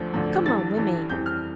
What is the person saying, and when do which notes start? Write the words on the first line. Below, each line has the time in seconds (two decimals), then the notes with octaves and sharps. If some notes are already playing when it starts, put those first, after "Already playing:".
Come home with me.
Already playing: D2 D3 F3
0.14 D2 D3 F3
0.46 G2 E3 G3 A6
0.77 G2 E3 G3
1.10 F2 E3 G3 G6
1.26 F6